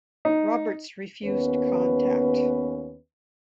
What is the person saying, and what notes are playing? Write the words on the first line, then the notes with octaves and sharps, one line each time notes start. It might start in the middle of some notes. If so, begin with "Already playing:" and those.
Roberts refused contact.
D#4
D#2 B3 C#4 B4